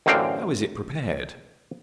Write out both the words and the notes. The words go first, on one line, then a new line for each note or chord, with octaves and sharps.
How is it prepared?
A1 F#2 D3 C4 F5 G5